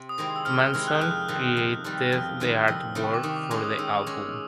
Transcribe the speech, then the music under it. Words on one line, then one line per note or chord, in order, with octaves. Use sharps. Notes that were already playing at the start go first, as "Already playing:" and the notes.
Manson created the artwork for the album.
Already playing: C3
D#6
D#3 G#3 C4 E4
E6
C3 F6
F6
D#3 G#3 C4 E4 F6
F#6
G6
F2 F#6
C3 D#3 G3
F2
C3 D#3 G3
F2 F6
C3 D#3 G3
F2 E6
C3 D#3 G3
C#6
D6
D#3 D#6
D6
G#3 C#4 D6
D#6
D#3 E6
G#3 C#4